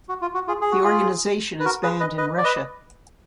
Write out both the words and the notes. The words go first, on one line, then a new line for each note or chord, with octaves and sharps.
The organisation is banned in Russia.
F#4
F4
F#4
F4 G#4
G#4
F#4
F4 G#4
B4
F#4 A#4
G#4 B4
B4 D#5
B4 D#5
D5
B4 D#5